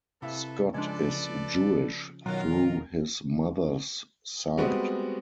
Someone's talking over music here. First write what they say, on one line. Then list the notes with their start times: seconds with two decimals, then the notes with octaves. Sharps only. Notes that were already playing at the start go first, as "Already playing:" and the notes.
Scott is Jewish through his mother's side.
0.22 C3 E4 A4 B4 E5 F5
0.74 C#3 F3 G#3 D4 A4 B4 D5
2.26 B2 D#3 F#3 F4 A#4
4.58 G3 G#3 B3 C4 F#4